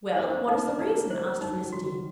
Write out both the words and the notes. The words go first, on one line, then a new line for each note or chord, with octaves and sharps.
"Well, what is the reason?" asked Felicity.
A#3 C5
C4
A#3 D#4
A#3
A3 D#4
C5
G3 D#4
F#3
F#3 F#4
D#3